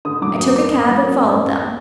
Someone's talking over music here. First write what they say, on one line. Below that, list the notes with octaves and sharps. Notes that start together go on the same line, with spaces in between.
I took a cab and followed them.
D3 D#6
F#3 D6
F#2 D#6
A#3 D6
F#2 D#6
F#3
A#3
F#2
F#2